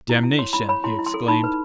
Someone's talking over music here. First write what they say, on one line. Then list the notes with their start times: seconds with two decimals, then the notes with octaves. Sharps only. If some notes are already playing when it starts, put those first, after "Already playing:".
"Damnation!" he exclaimed.
0.09 E4
0.23 E4
0.39 C#5 C6
0.53 E4 B5
0.69 C#5 B5
0.84 E4 C6
0.99 E4
1.06 C6
1.14 A4
1.28 D#4 B5
1.44 B4